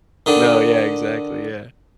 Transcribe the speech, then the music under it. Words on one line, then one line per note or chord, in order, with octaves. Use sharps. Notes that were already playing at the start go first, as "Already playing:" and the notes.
No, yeah, exactly, yeah.
D3 D#3